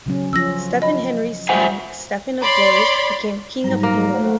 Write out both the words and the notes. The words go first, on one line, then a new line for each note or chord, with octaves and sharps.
Stephen Henry's son Stephen of Blois became King of England.
C#3 F#3 C#4
F3 C#4 F4 E6 A#6
D#5 B5
C5 E5 F#5 G#5
C#5 D5 B5 C6
G#2 F#3 G3 A#5
A#3
A3 C5 F#5